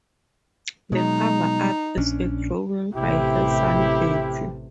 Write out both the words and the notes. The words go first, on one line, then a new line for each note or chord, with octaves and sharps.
The cover art is a drawing by her son Bertie.
B2 F#3 G#3 D#4
A#1 C#4 D4
A1 C3 E4 G4